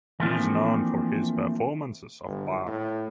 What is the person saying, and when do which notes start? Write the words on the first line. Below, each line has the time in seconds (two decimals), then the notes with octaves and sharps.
He is known for his performances of Bach.
0.20 E3 F3 A3 A#3 C4 D4
2.25 G1
2.67 A2